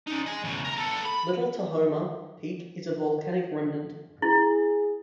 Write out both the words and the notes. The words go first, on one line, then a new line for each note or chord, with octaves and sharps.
Little Tahoma Peak is a volcanic remnant.
C#4 D#4
D#5 G#5
E2 C#3
A#4 A#5
B3 A4
B5
E4 G#4